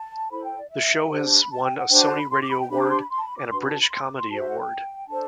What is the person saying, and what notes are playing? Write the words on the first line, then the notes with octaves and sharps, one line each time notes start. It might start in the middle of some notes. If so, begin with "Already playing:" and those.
The show has won a Sony Radio Award and a British Comedy Award.
Already playing: A5
E4 A4 C5 B5
G5
D5
E5
D4 G4 C5 F#5
A5
B5
A5
G5
F#5
D4 F#4 C5 G5
A5
B5
C6
D6
B5
G5
D4 G4 C5 B5
D6
B5
C6
B5
C6
A5
B5
D6
D4 F#4 B4 C6
B5
A5
B5
C6
D6
C6
F#4 A4 C5 A5
E5
F#5
G5
D4 A4 C5 A5